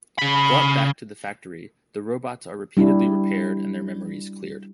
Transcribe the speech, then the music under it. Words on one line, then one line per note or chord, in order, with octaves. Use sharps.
Brought back to the factory the robots are repeatedly repaired and their memories cleared.
C#3 B5
G3 D4 E4